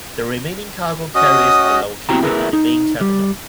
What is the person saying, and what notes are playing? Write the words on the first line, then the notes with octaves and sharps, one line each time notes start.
The remaining Cargo Carriers are located in the Main Terminal.
C#4 F#4 D#5 D#6
C4 E4 F#4 G4 G5 A#5
E4 G#4 A#4 B4 E5
D#4
G3